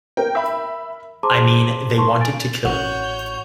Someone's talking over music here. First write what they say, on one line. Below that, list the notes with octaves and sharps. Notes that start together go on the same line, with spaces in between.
I mean, they wanted to kill.
A#4 G5
E5 B5
G#4 C5 A5 A#5 C6 D6
A5 C6 C#6
G#5 A6 D7
A1 C#4 F#4 C#5 C#6 G6 F7